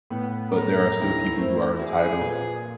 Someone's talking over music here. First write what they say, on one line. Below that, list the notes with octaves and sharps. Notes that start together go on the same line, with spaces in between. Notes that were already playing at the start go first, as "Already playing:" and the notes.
but there are still people who are entitled,
A2 B3
A4 B4 C#5 A#5
D#2 D#4 E4
G#2 A3 A#3 C4
F#4 G#4 E5
A#2 B3 B4